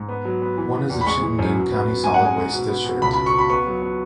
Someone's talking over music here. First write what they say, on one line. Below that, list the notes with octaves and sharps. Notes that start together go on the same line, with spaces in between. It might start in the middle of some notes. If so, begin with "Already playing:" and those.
One is the Chittenden County Solid Waste District.
Already playing: G#2
B3
F#3
B3
E3
B3
E2
B5
G#3 C#6
E3
F#2
B2
B3
B2
G#2 G#5
F#5
G#3 G#5
G#2
B2
B3
B2
C#2 B5
B5
B2
C#6
B2 B5
B3 C#6
F#3
B3